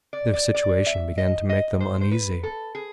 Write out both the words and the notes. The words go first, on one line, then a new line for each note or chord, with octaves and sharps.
Their situation began to make them uneasy.
D5
D5
D5
E5
D#5
D#5
C5
C5
B4
A4
G#4